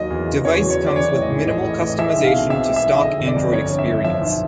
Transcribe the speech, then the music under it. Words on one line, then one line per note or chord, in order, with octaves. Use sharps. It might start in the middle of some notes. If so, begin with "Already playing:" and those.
Device comes with minimal customization to stock Android experience.
Already playing: D#2 F#3 D#5
E2
C#3
E2 C#5
F#3
C#5
E2
D5
E3 C#5
A1
D#5
G#2
A3 D#5
E3 D#5
A1 D#5
D#5
G#3 E5
B1
F5
B2
C4 E5
G#3
E5
B1
D3 D#5
G1
D5
F2
G1 C#5
D3
E5
G1
F3 E5
B1